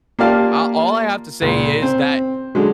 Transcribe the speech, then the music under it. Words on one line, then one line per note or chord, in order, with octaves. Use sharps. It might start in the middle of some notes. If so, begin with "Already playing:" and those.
A all I have to say is that
A#3 F4 G4 D5 F5 A5
C#2 A#2
C4
D3 F#3 G#3